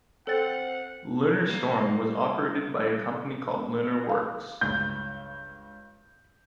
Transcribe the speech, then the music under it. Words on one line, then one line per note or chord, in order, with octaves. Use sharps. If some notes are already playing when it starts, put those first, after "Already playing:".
"LunarStorm" was operated by a company called LunarWorks.
C4 A4 F#5 A6
G3 A#3
F5
C#2 G2 G6